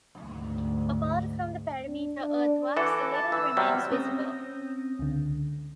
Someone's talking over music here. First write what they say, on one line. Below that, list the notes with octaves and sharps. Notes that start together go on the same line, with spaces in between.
Apart from the perimeter earthworks, little remains visible.
D2 G#2
D4
D4
E3 F#4 A4 D6
A5
E3 E6
C3 F#3 G3
C4 C#4 D#6 G6 A#6
C#2 D3